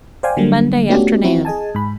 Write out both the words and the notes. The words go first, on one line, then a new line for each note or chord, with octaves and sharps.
Monday afternoon.
C5 D5 F5 G5 G#5
D3 F#3 G3 A#3
A3 B3 C#4 D4 F#4 G4
F3 C4 E4 F#4
G#4 D#5 G#5 A5
G#2 B5